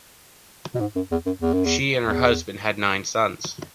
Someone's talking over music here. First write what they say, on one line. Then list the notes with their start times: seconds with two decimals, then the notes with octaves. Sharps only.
She and her husband had nine sons.
0.75 B2
0.81 G#2
0.96 F#2
1.11 E2
1.26 F#2
1.42 E2
1.53 F#2
1.66 E2
2.02 E2